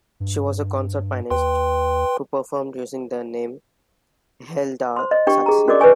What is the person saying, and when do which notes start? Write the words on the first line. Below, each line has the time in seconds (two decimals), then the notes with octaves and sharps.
She was a concert pianist who performed using the name Hilda Saxe.
0.20 G2
1.30 D#2 B4 G5 C6
4.96 C5 C6
5.11 D#5
5.27 D4 G4 G5 C#6
5.46 G#4 A#5
5.68 C#4 F#4 A#4 D5 D#5 D6
5.80 B4 C#5 G#5 C#6